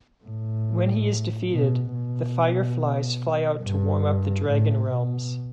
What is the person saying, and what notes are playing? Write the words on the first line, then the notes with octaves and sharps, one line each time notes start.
When he is defeated, the fireflies fly out to warm Up the Dragon Realms.
A2
B2
B2
G2
A2
B2